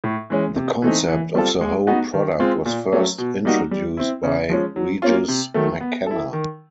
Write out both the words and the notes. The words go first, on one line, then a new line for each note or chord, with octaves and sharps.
The concept of the whole product was first introduced by Regis McKenna.
A2
E3 G#3 C#4
C3
E3 A3 C4 D#4
E3
G3 C4 F4 A4
G#3
B3 D#4 F#4
D#3
G#3 C4 F4
A#2
F#3 A3 C#4
B2
G3 A#3 D#4 F#4
G3
C4 E4
C#3
F3 G#3 C#4
F#3
A#3 C#4 F4
C3
D#3 F#3 A3
B3
E4 A4
D#3